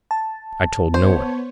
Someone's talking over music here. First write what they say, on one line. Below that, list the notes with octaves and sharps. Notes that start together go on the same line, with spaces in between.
"I told no one."
A5
B3 C5 C#5